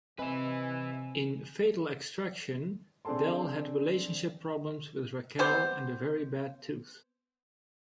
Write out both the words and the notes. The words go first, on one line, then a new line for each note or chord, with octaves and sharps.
In "Fatal Extraction", Del had relationship problems with Raquel and a very bad tooth.
C3 C4 B4 D#5 E5 G#5
C4 D4 G#4 A4 A5 C6
B3 C4 G4 C5